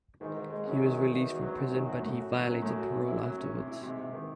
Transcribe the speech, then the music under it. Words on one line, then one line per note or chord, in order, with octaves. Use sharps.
He was released from prison but he violated parole afterwards.
G#2 D#3
D#3
G#3
F#2 C#4
D#3
D#3
E2 D#3
F#4
F#3
F#2 C4
D#3
F#4
F#2 A2
F#4
F#3
F#2 C#4
A2
F#4
C3
E4
F#3
C#4
C3
E4
G#2 C3
C3
D#3